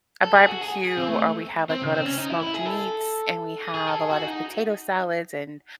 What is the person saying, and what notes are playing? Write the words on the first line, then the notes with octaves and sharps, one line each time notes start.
a barbecue or we have, like, a lot of smoked meats, and we have a lot of potato salads and
A4
G#4
F#4
G#4
G#4
C4
A3
C4
C#3
C4
C#4
D#4
E4
E4
G#4
A4
G#4
G#4
A4
G#4
F#4
D#4